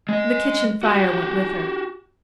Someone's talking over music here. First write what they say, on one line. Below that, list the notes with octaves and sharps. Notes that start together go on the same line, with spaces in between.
The kitchen fire went with her.
G#3 D#5
F#4 G4